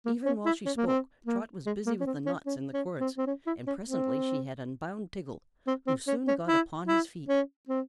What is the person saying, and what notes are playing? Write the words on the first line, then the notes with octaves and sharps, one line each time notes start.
Even while she spoke Trot was busy with the knots in the cords, and presently she had unbound Tiggle, who soon got upon his feet.
A#3
C#4
E4
C#4
A#3
C4
A#3
G#3
A#3
C#4
C4
C#4
C#4
C#4
C4
C4
C#4
E4
C#4
C4
C4
C4
C#4
C#4
E4
E4
C#4
C4